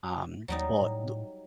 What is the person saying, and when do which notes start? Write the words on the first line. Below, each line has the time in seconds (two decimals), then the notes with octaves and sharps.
Um, well, D
0.48 D#2 F#3 G3 D#4
0.81 A2